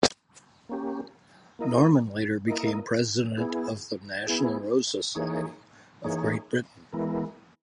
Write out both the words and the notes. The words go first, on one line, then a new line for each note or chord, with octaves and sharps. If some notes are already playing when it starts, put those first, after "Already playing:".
Norman later became president of the National Rose Society of Great Britain.
A#3 C#4 G4
A#3 E4 A#4 D#5
A#3 E4 A#4 D#5
B3 E4 G#4
B3 E4 G#4
E3 A#3 D#4 G#4 C#5
E3 A#3 D#4 G#4 C#5
E3 G#3 B3 E4 A#4